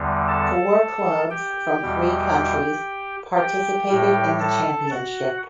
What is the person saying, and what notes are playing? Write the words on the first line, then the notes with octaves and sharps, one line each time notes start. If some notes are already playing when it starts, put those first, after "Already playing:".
Four clubs from three countries participated in the championship.
Already playing: E2 D3 G3
A4 A5
G4 G5
E2 B2 G3
G4 G5
A2 G3
A4 A5
F#4 F#5